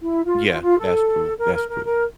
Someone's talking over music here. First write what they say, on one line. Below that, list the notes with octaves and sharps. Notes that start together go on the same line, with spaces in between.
Yeah. That's true, that's true,
E4
F4
F4
F4
A4
A#4
A#4
A#4
A#4